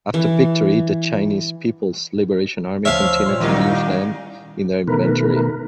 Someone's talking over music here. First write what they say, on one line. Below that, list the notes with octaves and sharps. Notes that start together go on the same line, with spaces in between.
After victory, the Chinese People's Liberation Army continued to use them in their inventory.
E3
D2 F3 C#5 E5 F5
A#2 C#5 C6
G#2 D#3 G3 A#3 D#4
C#4
B2 D#3 A3 A#4 B4